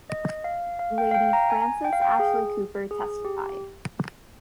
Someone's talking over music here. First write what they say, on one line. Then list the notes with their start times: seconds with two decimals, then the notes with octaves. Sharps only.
Lady Frances Ashley-Cooper testified.
0.10 D#5
0.44 F5
0.79 F5
0.98 G5
1.11 F5
1.15 G5
1.33 A#5
1.50 G#5
1.85 G5
1.93 F5
2.02 G5
2.20 G#4
2.91 G#4
3.25 G4